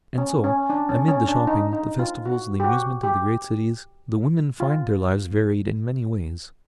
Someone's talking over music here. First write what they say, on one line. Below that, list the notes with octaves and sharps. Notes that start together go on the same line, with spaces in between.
And so, amid the shopping, the festivals, the amusements of the great cities, the women find their lives varied in many ways.
C#4
C#4
D4
C#4
C#4
D4
D#4
D#4
F4
F#4
G4
F#4
G4
F4